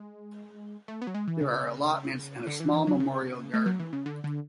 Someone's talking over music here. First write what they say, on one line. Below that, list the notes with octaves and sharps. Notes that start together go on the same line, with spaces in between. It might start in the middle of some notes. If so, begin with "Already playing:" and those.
There are allotments, and a small memorial garden.
Already playing: G#3
A3
B3
F#3
G#3
E3
C#3
D3
E3
E3
F#3
C#3
A3
F#3
E3
C#3
D3
D3